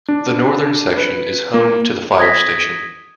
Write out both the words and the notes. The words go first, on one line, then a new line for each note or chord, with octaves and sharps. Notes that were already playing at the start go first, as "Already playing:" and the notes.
The northern section is home to the fire station.
D4
B4
A#3
D#6 G#6 A#6 B6